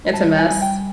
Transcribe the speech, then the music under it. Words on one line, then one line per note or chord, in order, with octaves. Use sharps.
It's a mess.
G3 A5
G#5
G3
G5